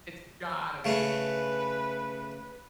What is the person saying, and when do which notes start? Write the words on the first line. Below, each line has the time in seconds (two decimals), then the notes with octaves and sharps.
it's gotta be decent.
0.85 C#3 A3 C#4 B4